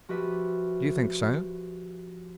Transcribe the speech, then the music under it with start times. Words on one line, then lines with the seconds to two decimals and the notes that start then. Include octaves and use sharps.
"Do you think so?"
0.09 F3 F#4 G4 B4 E5